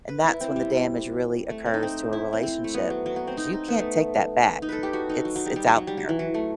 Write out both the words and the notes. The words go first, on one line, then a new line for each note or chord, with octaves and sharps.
and that's when the damage really occurs to a relationship 'cause you can't take that back, it's it's out there.
B4
E4
C4
G3
A3
C4
D#4
C4
E4
C4
C4
A3
B3
F#3
F#3
B3
C4
D#4
D#4
B3
A3
D#4
A4 B4
G4
F#4
D#4
F#3
F#3
G3
G3
F#3
F#3
G3
F#3
E3
F#3
A3